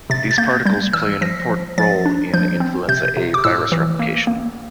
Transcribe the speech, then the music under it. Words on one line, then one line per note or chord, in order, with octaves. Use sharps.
These particles play an important role in influenza A virus replication.
C3 A6
A6
A#3 G6
G3 G6
E3 E6
F3 A#6
F3
F3 A6
D4
F3 G6
C4
C3 G6
C3
D6
A2 E6
E3
A#3
A#3